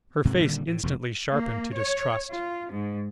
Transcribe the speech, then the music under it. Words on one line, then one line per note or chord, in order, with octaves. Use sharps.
Her face instantly sharpened to distrust.
D2 G#2 C3
A#2 D3 D#3 G3
A2
E1 F2 C3
A#3
C#5
F4
G#2